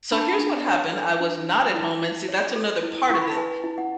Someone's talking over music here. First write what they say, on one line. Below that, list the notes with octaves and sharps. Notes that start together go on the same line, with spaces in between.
So, here's what happened, I was not at home, and see that's another part of it,
D4 B5
A5
B5
D4
C#5
A4
D4
D4
E4 A5
E4
C#5
A4
E4
E4 C#6
B5
A5
B4 G#5
E4
F#5